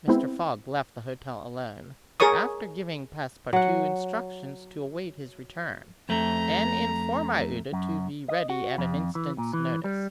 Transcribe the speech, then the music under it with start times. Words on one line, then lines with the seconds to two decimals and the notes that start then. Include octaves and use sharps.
Mr. Fogg left the hotel alone, after giving Passepartout instructions to await his return, and inform Aouda to be ready at an instant's notice.
0.08 G#3 B3 C4 E4
2.20 G#4 A#4 C#5 C#6 D#6
3.53 F#3 F#5
6.09 F2 A3 A#5
7.73 F#2
8.28 D#5
8.50 F#4
8.78 F2
9.15 E3
9.38 A#2
9.53 E3
9.84 G3